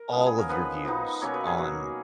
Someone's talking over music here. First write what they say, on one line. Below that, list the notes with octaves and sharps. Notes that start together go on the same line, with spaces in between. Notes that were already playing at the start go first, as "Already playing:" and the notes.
all of your views on
Already playing: A#4
C#3 F3 G#3 B3
G#4
A#4
F3 B3 D#4 B4
F3 B3 D#4
B2 F#3 A#3 C#4 C#5
B4
G#4
B2 F#3 A#3 C#4 F#4